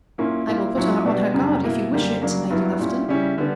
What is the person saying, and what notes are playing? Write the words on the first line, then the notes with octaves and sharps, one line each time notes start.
"I will put her on her guard if you wish it, Lady Lufton."
A#2 A#3 C#4 E4
A#2 A#3 E4
A#2 F#3 C#4 E4
B2 G3 B3 D4
F#2 C#3 G3
B2 A#3 E4
F#2 D3 G3 A#3
C#3 F#3 A#3 D4
G2 F#3 B3 E4
A#2 G3 C#4 E4
C#3 G3 C#4 E4
D3 G3 B3